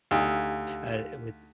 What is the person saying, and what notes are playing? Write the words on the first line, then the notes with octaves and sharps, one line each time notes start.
uh, with
D2 D#4 G4 F5